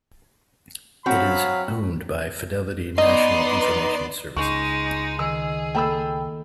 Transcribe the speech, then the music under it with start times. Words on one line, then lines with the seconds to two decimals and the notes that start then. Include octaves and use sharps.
It is owned by Fidelity National Information Services.
1.06 F#3 C4 F#4 F5 B5
2.98 B3 D#4 D5 D#5 C6
4.37 C#2 G#3 D#4 C#6
5.19 D#3 G#4 E6
5.75 A#3 A4 G5 B5 E6